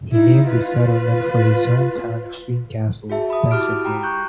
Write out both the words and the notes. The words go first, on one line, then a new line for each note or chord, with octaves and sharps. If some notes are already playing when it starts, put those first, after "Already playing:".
He named the settlement for his hometown of Greencastle, Pennsylvania.
D#4 E4
F4 B4
F#4 G#4 E5 A5
B5 D#6
E4 F#4 G4 D6 F6 D7
G5 A#5 B5
C#6 F#6 G6